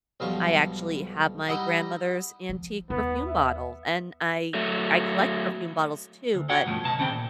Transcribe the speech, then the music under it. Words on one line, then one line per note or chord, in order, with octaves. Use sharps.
I actually have my grandmother's antique perfume bottle, and I I collect perfume bottles too, but
B1 G2 B2 F3 F5 C#6
G3 D#4 E4 G4 D#5 F#5
F3
D#2 B3
E5
F#3 A3
D2
F#4 C#5 F#5 G5
B1 G2 F3 A3
C#2 B2 A5
D#2 C#3 C4 G5
A#2